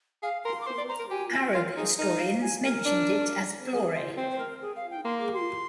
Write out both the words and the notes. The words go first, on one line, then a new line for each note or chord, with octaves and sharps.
Arab historians mentioned it as Blore.
G#4 F5
A#4 C6
D6
C5 C6
D5
C5 A#5
A#4
G4 G#5
G#5
F4 A#4
D#4 G#4
D#4 A#4
D#5
F5
G#5
A#4
D4
G#4
C5
C4 C5
C5
A#4
G#4
F5
G5
A#3 C6
D6
C6